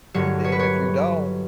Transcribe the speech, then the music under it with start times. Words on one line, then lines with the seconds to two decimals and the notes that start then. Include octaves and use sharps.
And then if you don't
0.14 G1 G2 F#3 C#5
0.44 C#5
0.52 B4
0.59 C#5